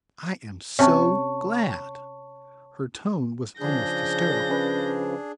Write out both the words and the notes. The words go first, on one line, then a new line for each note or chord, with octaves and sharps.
"I am so glad!" Her tone was almost hysterical.
C3 C#4 C#5 A5 C#6
C#3 F3 D4 G#4 G6 A#6
C#4 B4 D5